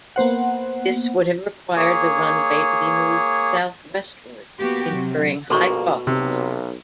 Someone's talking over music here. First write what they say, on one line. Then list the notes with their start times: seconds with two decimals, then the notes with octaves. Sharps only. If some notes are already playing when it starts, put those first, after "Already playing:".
This would have required the runway to be moved southwestwards, incurring high costs.
0.16 A#3 B3 C5 F#5
1.76 A#3 G#4 C#5
4.58 A#3 B3 F#4 G4
4.91 C3 F#3
5.50 A#1 G2 B2 A#3 A4 C6 C#6
6.07 B1 C3